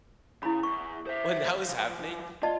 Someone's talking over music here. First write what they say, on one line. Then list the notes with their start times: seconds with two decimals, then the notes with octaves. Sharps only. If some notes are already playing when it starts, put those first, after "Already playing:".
when that was happening
0.43 C#3 E4 B5
0.63 E2 C#6
1.07 C5 E5
1.63 E3 F3
2.43 F4 D5 D#5 A5